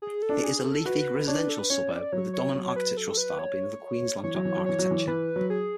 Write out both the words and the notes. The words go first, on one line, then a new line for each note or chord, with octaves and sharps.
It is a leafy, residential suburb with the dominant architectural style being "Queenslander" architecture.
G#4
A4
D4
G#4
A4
F#4 B4
D4 C#5
B4
A4
B4
C#4 C#5
D5
F#3 C#5
C#5
F#3 C#5
B4
A4
B4
C#5
E3 C#5
F#3
E3
F#3
E3 C#5
F#3
E3
E3 B4
F#3
G#4